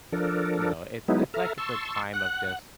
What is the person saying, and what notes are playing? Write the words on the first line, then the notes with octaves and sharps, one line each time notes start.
you know, it's it's like it's a time of just
F3 D4 A4 A#4
F#3 G#3 B3 D#4 E4
A4 E5 A#5 F6
A5 C6 C#6 E6
F#5 F#6